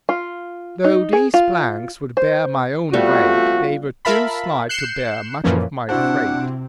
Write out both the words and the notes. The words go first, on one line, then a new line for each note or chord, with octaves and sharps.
Though these planks would bear my own weight, they were too slight to bear much of my freight.
F4
D#4
G#4
F4
C5
G3 A3 B3 C4 F4 F#4
F4 A#4 E5 F5 A5 B5
F#6 G6 C7 C#7 E7
F#2 A#2 E3 F3 A#3 C#4
C3 C4 D4 E4 F#4 C5 F#5